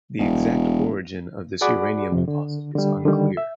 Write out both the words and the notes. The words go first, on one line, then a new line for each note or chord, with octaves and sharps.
The exact origin of this uranium deposit is unclear.
E1
F#4 G#4 D5 F#5 B5 D6
F2 C3
D3
D3 G3
D3 D#3 G3
E5